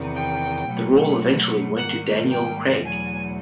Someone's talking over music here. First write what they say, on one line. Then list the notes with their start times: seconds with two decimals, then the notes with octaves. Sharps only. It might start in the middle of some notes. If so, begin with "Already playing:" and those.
The role eventually went to Daniel Craig.
Already playing: E2 C3 D#3
0.14 G5
0.67 B2 F#3 A3
1.76 G#2 D#3 G3 A#3 F#5
2.30 G5
2.84 E2 B2 F#3 A3 G#5